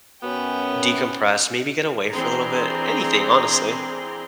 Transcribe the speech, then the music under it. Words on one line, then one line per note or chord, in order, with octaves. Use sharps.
decompress, maybe get away for a little bit, anything, honestly.
F#2 B3 C#4 G5
E3 C4 D4 G#4 A#5 C6